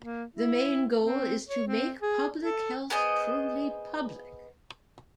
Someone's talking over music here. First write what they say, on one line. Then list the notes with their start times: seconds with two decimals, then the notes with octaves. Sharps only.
The main goal is to make public health truly public.
0.03 A#3
0.36 E4
1.01 C4
1.48 C#5
1.67 C4
2.02 G#4
2.43 A4
2.90 B3 G#4 C5 D#5